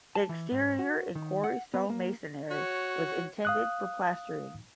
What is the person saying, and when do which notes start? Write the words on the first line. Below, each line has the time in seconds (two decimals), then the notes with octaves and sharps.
The exterior in quarry stone masonry was intended for plastering.
0.15 A5
0.29 E3
0.52 G#2
0.79 F#4
1.15 D#3
1.44 F#5
1.74 B3
1.90 A#3
2.51 F#4 C#5
3.45 F5 D#6 F#6